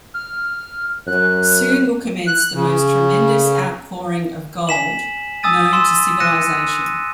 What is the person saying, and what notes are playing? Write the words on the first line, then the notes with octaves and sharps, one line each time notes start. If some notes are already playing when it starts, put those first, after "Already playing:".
Soon will commence the most tremendous outpouring of gold known to civilization.
F6
F#2 F#6
F#6
C#3
G#5 B6 E7 F#7
G#5 D#6 E6 A6 D#7
C6 E6 E7
F#6 A#6 C#7 D#7 E7